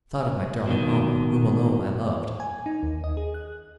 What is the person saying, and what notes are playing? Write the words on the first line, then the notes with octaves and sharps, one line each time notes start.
I thought of my darling Almah, whom alone I loved.
B2 D#3
G#5
D#4
D#2
D#5
G#4
F#6